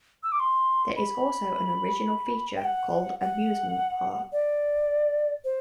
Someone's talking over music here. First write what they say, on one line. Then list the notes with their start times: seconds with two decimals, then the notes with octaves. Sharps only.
There is also an original feature called "Amusement Park".
0.23 E6
0.32 D6
0.40 C6
0.96 B5
2.56 G5
2.65 F#5
3.21 F#5
4.32 D5
5.44 C5